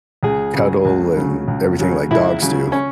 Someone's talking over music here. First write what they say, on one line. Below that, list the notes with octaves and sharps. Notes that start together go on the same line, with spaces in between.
cuddle, and everything like dogs do.
C#2 G#4
C#3
F#3
C#2
C#3 F#3
C#2
C#3 F#3
C#2 E4
C#3 F#3
C#4